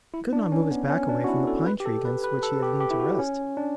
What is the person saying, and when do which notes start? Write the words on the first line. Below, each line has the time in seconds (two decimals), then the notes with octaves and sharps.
He could not move his back away from the pine tree against which he had leaned to rest.
0.14 E4
0.33 D4
0.52 C#4
0.71 B3
0.90 C#4
1.09 D4
1.24 F#4
1.28 E4
1.47 A4
1.66 B4
1.80 G4
1.86 A4
2.05 B4
2.24 B4
2.43 A4
2.62 G4
2.80 G4
2.91 E4
3.00 F#4
3.19 C#4
3.57 D4